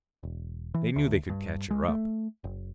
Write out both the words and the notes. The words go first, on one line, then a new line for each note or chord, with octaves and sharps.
They knew they could catch her up.
E1
E3
D2
G2
G#3
A3
F#1